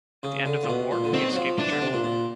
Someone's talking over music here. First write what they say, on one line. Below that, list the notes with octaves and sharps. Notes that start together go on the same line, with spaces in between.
At the end of the war, he escaped to Germany.
C#3
D3
A#2
B2
A#2
D3
D#3 C4
F#3
F3
E3 D4
D3
C3
A#2
A#2